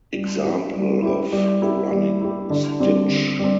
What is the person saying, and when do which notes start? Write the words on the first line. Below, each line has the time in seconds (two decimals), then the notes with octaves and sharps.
Example of running stitch.
0.13 G3
0.44 E4 G4
0.73 G3
1.02 E4 G4
1.32 G3
1.62 E4 G4
1.91 G3
2.21 E4 G4
2.50 D3
2.80 G3 C4
3.10 D3
3.39 G3 C4